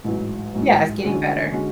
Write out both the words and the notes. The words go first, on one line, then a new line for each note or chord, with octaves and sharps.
yeah, it's getting better.
A1 G#2 F#3
A1 G#2 F#3
D3 G#3 C#4 F#4
D3 G#3 C#4 F#4